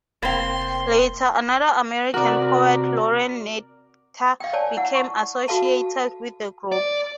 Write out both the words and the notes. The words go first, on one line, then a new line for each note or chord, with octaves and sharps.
Later, another American poet, Lorine Niedecker, became associated with the group.
F1 A#3 C4 G5 C6 A6
C3 F#4 A#4 D5
F5 G5
C#5 D5 G#5 A5
E4 F#5
C#6
F#4 A4 F5 A5
D5